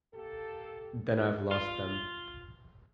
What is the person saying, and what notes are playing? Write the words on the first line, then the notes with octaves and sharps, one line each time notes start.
Then I’ve lost them.
A#3 G4 A4
F4